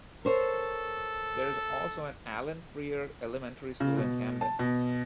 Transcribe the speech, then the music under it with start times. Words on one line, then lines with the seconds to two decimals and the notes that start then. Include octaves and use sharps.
There is also an Allen Frear Elementary School in Camden.
0.25 A4 A#4 C5 C#5
3.80 C#3
3.97 B2
4.41 A5
4.59 B2